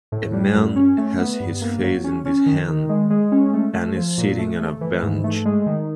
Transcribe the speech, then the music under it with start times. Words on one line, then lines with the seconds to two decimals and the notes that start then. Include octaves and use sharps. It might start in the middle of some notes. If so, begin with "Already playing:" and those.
A man has his face in his hand and is sitting on a bench.
0.12 A2
0.33 G3
0.55 F#2
0.76 C#4
0.98 A3
1.19 B3
1.40 G2
1.61 A#3
1.83 F#3
2.04 C#4
2.25 C#4
2.46 D#3
2.68 D#3
2.89 G#3
3.10 G#3
3.32 C#4
3.53 A3
3.74 A3
3.96 F3
4.18 A#2
4.38 A3
4.60 A3
4.81 E3
5.03 G#2
5.24 A3
5.45 G#3
5.66 D#3